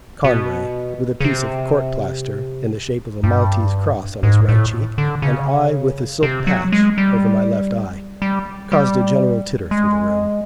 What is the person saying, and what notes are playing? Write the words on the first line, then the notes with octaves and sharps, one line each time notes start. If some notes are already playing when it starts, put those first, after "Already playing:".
Conway, with a piece of court-plaster in the shape of a Maltese cross on his right cheek, and I with the silk patch over my left eye, caused a general titter through the room.
B2
C#3
C3
G2
G#2
A2
D3
C#3
C3
F#3
G#3
G3
G3
G3
G#3